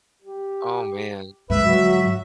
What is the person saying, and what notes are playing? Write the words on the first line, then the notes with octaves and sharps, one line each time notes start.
Oh, man.
G4
G#2 D3 B4 E5
F#3 F#4